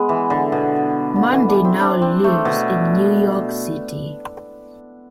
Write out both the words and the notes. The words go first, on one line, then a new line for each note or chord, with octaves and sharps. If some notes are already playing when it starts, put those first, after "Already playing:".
Monday now lives in New York City.
Already playing: G#3 B3
E3
D3
B2
D3
E3
D4
C4
D4
C4
A3
B2